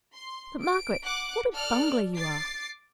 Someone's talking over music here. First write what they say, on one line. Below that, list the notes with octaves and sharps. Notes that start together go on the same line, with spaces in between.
But, Margaret, what a bungler you are!
C6
D7
F#5 D6 F#6
A4 D5 F6 F#6
D6 A6 C7